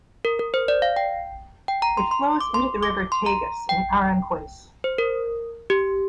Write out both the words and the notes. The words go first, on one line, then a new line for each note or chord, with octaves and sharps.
It flows into the river Tagus in Aranjuez.
A#4
A#4
C5
D5
F5
G5
G5
A#5
C6
C6
D6
C6
D6
C6
A#5
G5
C5
A#4
G4